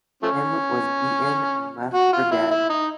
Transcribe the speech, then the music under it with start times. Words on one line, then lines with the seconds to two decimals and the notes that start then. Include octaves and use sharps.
Kim was beaten and left for dead.
0.23 F3 A3 C#4
1.94 F#4
2.13 F4
2.31 E4
2.51 E4
2.70 D#4